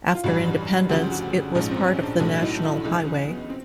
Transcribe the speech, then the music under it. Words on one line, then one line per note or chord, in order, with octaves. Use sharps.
After independence, it was part of the national highway.
F4
A1 G2 E3 F#4
D2 C#3 F3 G4
F#4
A#1 G#2 F3 C#4
C4
C#4
D4
B1 A2 F#3 D4
E4
D#4
E4
C#2 C#3 E3 D#4
C#4
B3
C4